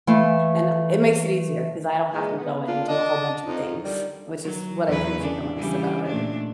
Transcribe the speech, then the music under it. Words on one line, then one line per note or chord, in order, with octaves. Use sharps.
and it makes it easier 'cause I don't have to go in and do a whole bunch of things, which is what I appreciate the most about it.
E3 A3 F5
A#2 E3 G#3
B3
A#3 D4 F4 F5
D4 D#5
F2 D#4
D3 D#3 G3
F#3
E2 F#3 B4
C#3 D4
C#3 E3 G3
A#2 A3 D4